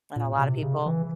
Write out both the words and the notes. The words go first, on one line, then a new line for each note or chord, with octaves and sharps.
And a lot of people
A#2
C3
C#3
E3